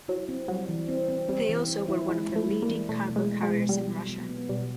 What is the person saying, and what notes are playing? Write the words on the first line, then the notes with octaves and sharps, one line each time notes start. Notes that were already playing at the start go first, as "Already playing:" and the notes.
They also were one of the leading cargo carriers in Russia.
F#3 E4
C4
F#3 G3
E3
C4
C4
G3 C4
E3
E4
E4
G#3 E4
E4
A3
G3
A#3
E3
B2 A3
B2
G#3
B3
G#3
B2
F#3 G3
F#3
B3
B3
B2 G3